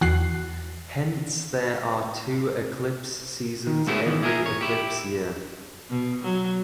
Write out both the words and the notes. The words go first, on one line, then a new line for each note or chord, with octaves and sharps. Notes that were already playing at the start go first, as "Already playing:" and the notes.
Hence there are two eclipse seasons every eclipse year.
E2 F#4 F#6 C7
D#3
G#3 A3 C#4 E4 F#4 G#4
D#3 E3 B3
E4 G#4 A#4
C#5
E4 G4
B2
F#3